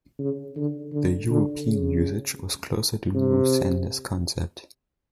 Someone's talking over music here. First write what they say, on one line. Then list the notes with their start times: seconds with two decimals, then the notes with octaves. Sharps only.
The European usage was closer to Mosander's concept.
0.19 C#3
0.56 D3
0.93 D3
1.30 D3
1.67 C#3
3.15 C3